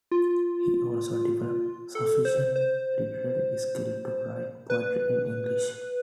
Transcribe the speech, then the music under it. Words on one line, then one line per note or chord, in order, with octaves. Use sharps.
He also developed sufficient literary skill to write poetry in English.
F4
A4
C5
C5
B4